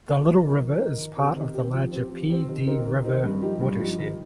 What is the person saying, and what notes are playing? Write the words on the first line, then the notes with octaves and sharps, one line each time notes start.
The Little River is part of the larger Pee Dee River watershed.
F3
D#4 A#4
F3
D#4 A#4
D#3
C4 G4
D#3
C4 G4
F3
C4 G4
F3
C4 G4
D#3
C4 D#4 G4 A#4
D#3
C4 D#4 G4 A#4
G2
F3 D#4 G4
G2
F3 D#4 G4
D#3